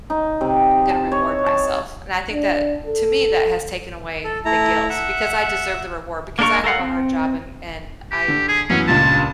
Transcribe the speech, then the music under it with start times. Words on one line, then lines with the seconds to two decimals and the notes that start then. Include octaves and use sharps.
"I'm gonna reward myself," and I think that to me that has taken away the guilt, because I deserve the reward, because I have a hard job, and and I
0.10 D#4
0.41 C3
0.90 A5
1.12 C#5
1.46 A5
2.33 D4
2.87 A4
4.24 A4
4.45 A3 E4 A#5
4.89 E5 F#5
6.39 A#3 D4 A#4 C#6
6.64 A4 A#4 F5 F#5
6.79 C4
8.12 G4
8.28 D3
8.48 G#4
8.70 F#2 E3 B3 C#4
8.88 C#2 G2 A#2 A5